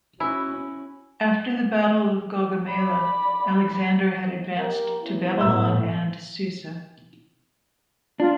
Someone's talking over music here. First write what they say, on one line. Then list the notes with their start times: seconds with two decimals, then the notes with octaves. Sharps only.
After the Battle of Gaugamela, Alexander had advanced to Babylon and Susa.
0.20 C#4 E4 F#4 G#5 B5
2.68 D5 B5
4.57 A#3 G4 A#4
5.01 B3 C#4 E4
5.40 A2 B3 E5 E6
8.20 D4 F4